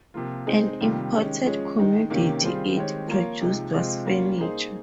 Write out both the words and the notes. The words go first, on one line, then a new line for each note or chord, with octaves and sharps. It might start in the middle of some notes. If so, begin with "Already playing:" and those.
An important commodity it produced was furniture.
C3 F3 A#3 F4
G#3 C4 D#4 G#4
C3 D#3 G3 A#3 F4
D#3 G#3 C#4 G4
F3 G#3 C#4 G#4 C#5
D#3 G#3 D#4
C3 D#3 A#3 C#4 G4
D#3 G3 C4 F4 G#4
D#3 G#3 C4 G4 C#5
F3 A#3 F4 A#4 C#5
C3 F3 G#3 D#4
C3 F3 G#3 C4 F4
G3 A#3 C#4 F4
A#3 D#4 G#4 C5